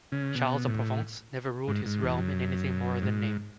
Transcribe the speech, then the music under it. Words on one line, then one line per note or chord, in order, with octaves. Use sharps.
Charles of Provence never ruled his realm in anything more than name.
C#3
B2
A2
G#2
G#2
E2
F#2
G#2